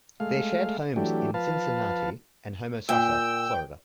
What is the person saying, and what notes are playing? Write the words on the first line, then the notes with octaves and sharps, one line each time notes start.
They shared homes in Cincinnati and Homosassa, Florida.
G#3 A3 F5
E3 F#3 A3 D4 G4
F3 B4 F5 A5
A#2 G5 E6